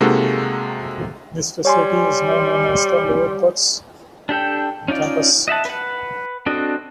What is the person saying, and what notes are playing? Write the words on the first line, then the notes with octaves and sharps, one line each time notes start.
This facility is now known as the Lower Bucks Campus.
C3 G#3 A#3 D#4 F#4 A4
G3 C#5 G#5 C6
D4 G4 A4 G5
C#4 D#4 F4 D5
D#5 E5 F#5 A5
B4 F#5
C4 D4 F#4 A4 D#5